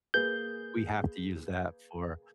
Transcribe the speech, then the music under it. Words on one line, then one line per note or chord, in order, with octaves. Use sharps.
we have to use that for,
A#3 G#4 B4 G6